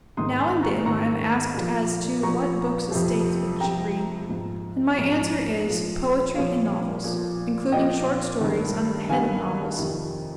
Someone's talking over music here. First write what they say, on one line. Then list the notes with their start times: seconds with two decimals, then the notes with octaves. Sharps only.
Now and then I am asked as to "what books a statesman should read," and my answer is, poetry and novels--including short stories under the head of novels.
0.17 G#2 D#3 C6 D#6
0.40 G#5 C6
0.63 A#5 C#6
0.86 G#2 D#3 A#5 C#6
1.54 A#2 F3
2.23 A#2 F3 A#5 C#6
2.91 F2 C3 F3
3.60 F2 C3 F3 G5 A#5
4.29 G#2 F3
4.98 G#2 F3
5.66 A#2 F3
6.35 A#2 F3 C#5 F5
7.04 A#2 F3
7.72 A#2 F3 D#5 G5
8.41 G2 D#3
9.09 G2 D#3 F5 G#5
9.78 F2 C3 D#3